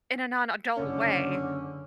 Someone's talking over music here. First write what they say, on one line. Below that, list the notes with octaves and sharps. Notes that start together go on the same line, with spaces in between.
in a non-adult way,
F#1 D3 C#4